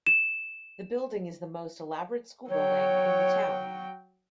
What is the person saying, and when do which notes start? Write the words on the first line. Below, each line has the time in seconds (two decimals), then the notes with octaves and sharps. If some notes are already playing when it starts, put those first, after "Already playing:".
The building is the most elaborate school building in the town.
0.07 E7
2.49 F#3 C#5 G5